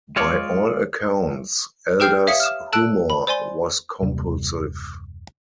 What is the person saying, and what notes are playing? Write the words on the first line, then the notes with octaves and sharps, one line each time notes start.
By all accounts, Elder's humor was compulsive.
G#3 F4 C#5 D5
G4 B4 G5 F6 G6 C7
C#5 E5 F5 D#6 B6 C#7
F6 E7
A4 A5 E6 F#6 D7
B5
C5 D5 G#5 C6
F#1 D#2 C3 G3